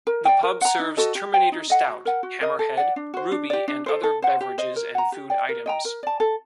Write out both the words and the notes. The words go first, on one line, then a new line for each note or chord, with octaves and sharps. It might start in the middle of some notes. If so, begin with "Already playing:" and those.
The pub serves Terminator Stout, Hammerhead, Ruby and other beverages and food items.
A#4
D5 G5
A#4
F#5 A#5
D#4
F#4 A4 D#5
G4
C5 G5
D#4
A4 D#5 F#5
F#4
A#4 F#5
F#4
A#4 D#5
A4
D5 F#5
D4
F#4 C5
D4
G4 D5
D4
A4 C5
A4
C5 F#5
G4
C5 D#5
A#4
F#5 A#5
G4
D5 G5
A#4
D#5 G5 A#5
A#4
D5 A5
A4